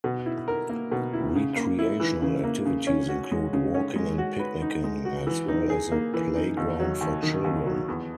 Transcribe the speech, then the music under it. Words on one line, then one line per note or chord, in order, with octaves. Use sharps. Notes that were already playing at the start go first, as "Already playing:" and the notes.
Recreational activities include walking and picnicking as well as a playground for children.
B2
E4
A#4
A#3
B2
E4
C#3
A#3
E4
E3
C#3
A#3
C#3
C#4
F#4
G#3
C#3
C#4
G#3
F#4
B4
D#4
G#3
F#4
E3
D#4
G#4
A#3
E3
D#4
D#2
F#3
D#2
D#3
D#2
F#3
E2